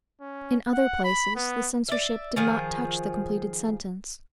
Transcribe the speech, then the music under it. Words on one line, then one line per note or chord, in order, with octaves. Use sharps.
In other places the censorship did not touch the completed sentence.
C#4
F#5
B5
B3
D5 E5
D#3 F3 G#4